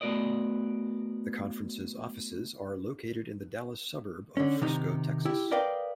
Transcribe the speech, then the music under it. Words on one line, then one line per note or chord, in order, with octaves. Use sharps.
The conference's offices are located in the Dallas suburb of Frisco, Texas.
A3 B3 F#4 A#4 D5 D#5
D3 C#4
C3 D#3 D#4
E4 G4
A#4 B4 D5 D#5 F5 G5